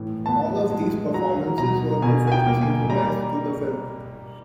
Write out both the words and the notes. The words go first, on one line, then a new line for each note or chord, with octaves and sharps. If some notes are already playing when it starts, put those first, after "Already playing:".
All of these performances were perfectly synchronized to the film.
Already playing: A2 E3
B3 A5
G#3
F#3 A#5
B2 A#5
B2 G#5
G#5
G5
A#3
G#5
G3 A#5